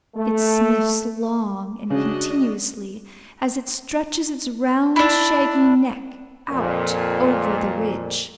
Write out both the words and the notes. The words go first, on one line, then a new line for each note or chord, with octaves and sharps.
It sniffs long and continuously, as it stretches its round, shaggy neck out over the ridge.
A3
C#3 D4 F#4 D#5
D4 E4
F2 A#2